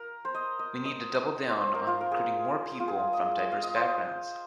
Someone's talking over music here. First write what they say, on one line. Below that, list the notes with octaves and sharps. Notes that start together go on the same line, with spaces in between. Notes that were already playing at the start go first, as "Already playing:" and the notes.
We need to double-down on recruiting more people from diverse backgrounds.
Already playing: A#4
C5
D#5
D#5
D#5
D#5
C5
C5
A#4
F4
A#4
G#4
F4
G#4
D#5
D#5
F5
D#5
C5